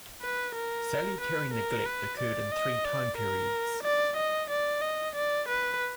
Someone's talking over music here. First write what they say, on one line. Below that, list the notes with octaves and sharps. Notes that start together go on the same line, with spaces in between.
Salutary neglect occurred in three time periods.
B4
A#4
B4
A#4
B4
D5
D#5
D5
A#4
D5
D#5
D5
D#5
D5
B4